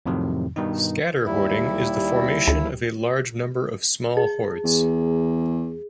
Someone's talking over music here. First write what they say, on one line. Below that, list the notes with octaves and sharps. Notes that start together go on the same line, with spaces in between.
Scatter hoarding is the formation of a large number of small hoards.
F2 A2 C3 D#3 F#3
G2 B2 D#3 D#4
D#2 G3 E4
D2
G#4
E2